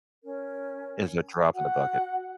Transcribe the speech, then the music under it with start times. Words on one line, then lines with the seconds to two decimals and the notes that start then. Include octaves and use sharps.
It's a drop in the bucket.
0.24 C#4 A#4
1.53 F#4 F#5